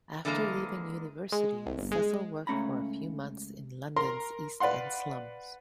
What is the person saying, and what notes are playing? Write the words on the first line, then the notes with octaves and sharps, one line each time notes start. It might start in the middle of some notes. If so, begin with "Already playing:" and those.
After leaving university, Cecil worked for a few months in London's East End slums.
D3 E3 G#3 A#3 A#5
G#3
C2
G1
G#3
C#2 A3 C#4 A#5 B5
A#4 A#5 C6
B4 D5 F5 F#5 C6